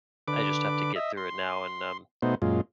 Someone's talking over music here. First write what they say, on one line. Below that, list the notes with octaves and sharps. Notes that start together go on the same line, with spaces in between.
I just have to get through it now and, um,
D3 B4 D6
D#5 E5
C6
B2 A3 B3 D#4 C5
F#2 A#2 G#3 F4